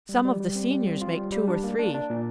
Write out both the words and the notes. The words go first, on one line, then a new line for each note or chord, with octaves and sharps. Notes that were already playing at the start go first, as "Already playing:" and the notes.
Some of the seniors make two or three.
G3
G3
G3
C4
G3
C4
F4
G3
G3
D4
A#3
D4
D4
A#2